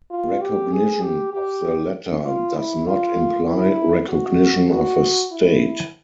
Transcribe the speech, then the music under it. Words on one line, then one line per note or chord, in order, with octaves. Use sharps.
Recognition of the latter does not imply recognition of a state.
F4
G4
G#4
G4
G4
F4
E4
F4
E4
F#4
F#4
E4